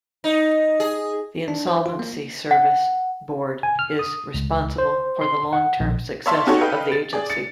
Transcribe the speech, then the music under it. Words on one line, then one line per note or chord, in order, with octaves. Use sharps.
The Insolvency Service Board is responsible for the long-term success of the agency.
D#4
G#4
D4
C5
F4
A#3
F#5
G#5
F6
D#6
C#2
C5
C6
F#5
A#1
C#5 D5 E5 F5 A5 C6
C#4 D#4 F#4 G4 A4 C#5
A4 B4 D#5 F5 G5
A6
G#4 D5
A6 C#7